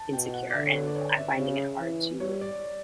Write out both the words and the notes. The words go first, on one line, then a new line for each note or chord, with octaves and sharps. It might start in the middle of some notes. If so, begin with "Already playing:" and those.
insecure, and I'm finding it hard to
Already playing: A5
B2 G5
G5
F#5
D5
D3 E5
C#5
B4
D5
C#5
E5
C#3
E3
G3 C#5
D5